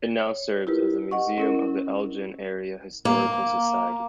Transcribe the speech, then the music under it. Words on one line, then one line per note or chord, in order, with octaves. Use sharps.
It now serves as a museum of the Elgin Area Historical Society.
C#5
E4 F4 G4 A#4 B4
D#5 F#5 C#6
C#4 E4 A#4
A#3